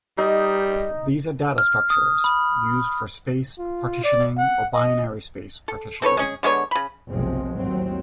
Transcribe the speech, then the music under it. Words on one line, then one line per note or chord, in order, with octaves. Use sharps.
These are data structures used for space partitioning or binary space partitioning.
G3 D#4
F6
D#6
B5
F4
D5
F#5
D#5
A4
C4 A4 B4 C#5
G#3 C#4 G#4
D3 G#3 B3 C#5
C#3 B5
F#1 B1 C3 F3 G#3 C4
A1 D#2 G#2 F#3 C4